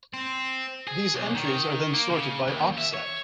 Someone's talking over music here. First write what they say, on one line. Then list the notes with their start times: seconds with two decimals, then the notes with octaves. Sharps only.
These entries are then sorted by offset.
0.14 C4
0.87 G#4
1.14 B1
1.35 D#3
1.94 A#3
2.10 C#3
2.48 D#2
2.78 E5
2.94 C#5